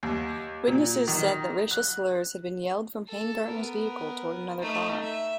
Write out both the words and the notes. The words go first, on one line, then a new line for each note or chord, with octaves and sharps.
Witnesses said that racial slurs had been yelled from Hangartner's vehicle toward another car.
D#2
A#2
D#3
F#6
A4
B3 A#4
A3 D#4
E5